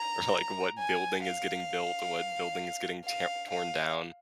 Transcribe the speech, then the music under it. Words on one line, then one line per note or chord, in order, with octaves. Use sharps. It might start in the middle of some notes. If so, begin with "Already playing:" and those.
or, like, what building is getting built, or what building is getting tam torn down.
Already playing: A#5
G#5
F5
F5
F5